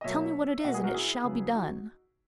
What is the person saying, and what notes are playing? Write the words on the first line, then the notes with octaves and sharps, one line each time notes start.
'Tell me what it is, and it shall be done.'
D#5
B2 F#3 A#3 C#5 E5
E5
B2 A#3 D#5 F#5
G#4 B4
F#4 A#4
E4 G#4
C#3 F#3 B3
D#4 F#4